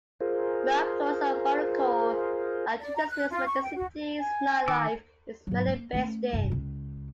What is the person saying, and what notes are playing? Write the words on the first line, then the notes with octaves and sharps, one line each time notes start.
Miraflores and Barranco are two districts where the city's nightlife is mainly based in.
F4 G#4 A#4 C5
D5
A#5
F#6
F4
C#6
G5
F#4
G#5
D#3 D6 E6
G#2 F#3
A#3
A3 C#4
F1 G2
C#2